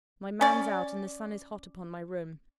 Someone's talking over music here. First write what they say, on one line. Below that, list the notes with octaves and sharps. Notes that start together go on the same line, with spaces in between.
My man's out, and the sun is hot upon my room.
C#4 D5